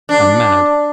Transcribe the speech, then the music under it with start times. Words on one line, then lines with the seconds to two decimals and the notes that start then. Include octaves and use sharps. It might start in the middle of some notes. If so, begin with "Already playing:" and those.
I'm mad.
0.09 D4